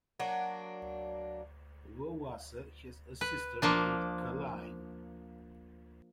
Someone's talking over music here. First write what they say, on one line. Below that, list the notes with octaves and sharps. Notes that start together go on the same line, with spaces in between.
Lowassa has a sister named Kalaine.
F#3 A#3 D4 F#5
B4
F3 A#3 D4